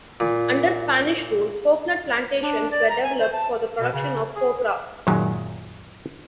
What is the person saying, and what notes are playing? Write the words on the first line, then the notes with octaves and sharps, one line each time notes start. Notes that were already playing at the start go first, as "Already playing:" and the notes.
Under Spanish rule, coconut plantations were developed for the production of copra.
A#2
D4
D5
A#5
G#5
C5
A5
B2
C#3
G#4
F#2 A#2 D#3 F#3 G#3